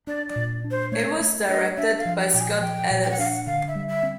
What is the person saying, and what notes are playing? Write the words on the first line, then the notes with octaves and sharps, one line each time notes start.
It was directed by Scott Ellis.
D4 D5
D5
A#2
D4
C5
A3 C#5
A3
D4 D#5
D4 E5
F5
F3
G5
A#2 G5
G#5
F3 G5
A#2
G5
F#5
D4 F5
F#5
D3 F5
E5
G3
E5
C4